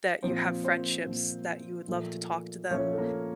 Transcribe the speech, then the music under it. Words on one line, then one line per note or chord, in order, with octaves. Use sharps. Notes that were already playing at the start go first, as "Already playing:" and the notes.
that you have friendships, that you would love to talk to them
A#2 F3 A#3 C4 C5
C4 C5
A#2 F3 A#3
A#2 F3 A3
A#2 F3 A3 C#4 C#5
A4
A#3 A#4